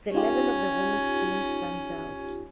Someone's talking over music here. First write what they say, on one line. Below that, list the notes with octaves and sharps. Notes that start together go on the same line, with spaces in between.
The level of the women’s teams stands out.
C#4 D#4 F4 G4